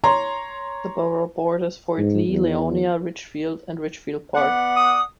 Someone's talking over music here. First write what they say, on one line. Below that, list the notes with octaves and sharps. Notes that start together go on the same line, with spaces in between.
The borough borders Fort Lee, Leonia, Ridgefield and Ridgefield Park.
C#5 A#5 C6
G#2
E2
B3 D5 F#5
D#6